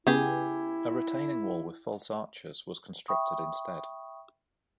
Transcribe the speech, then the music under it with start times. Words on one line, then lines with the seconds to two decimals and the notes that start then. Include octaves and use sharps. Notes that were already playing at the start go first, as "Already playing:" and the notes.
A retaining wall with false arches was constructed instead.
0.07 C#3 B3 E4 G4 G#4
3.08 E5 G5 B5 C#6 D#6